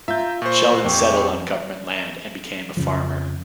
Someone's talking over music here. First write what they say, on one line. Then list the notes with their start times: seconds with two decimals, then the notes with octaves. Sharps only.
Sheldon settled on government land and became a farmer.
0.08 F4 E5 A#5 G6
0.42 A#2 C5 C#6
0.84 F2 G4 C#6
2.77 F2 C#3 F3